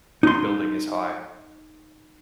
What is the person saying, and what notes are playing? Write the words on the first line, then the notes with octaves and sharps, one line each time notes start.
The building is high.
D#4 C6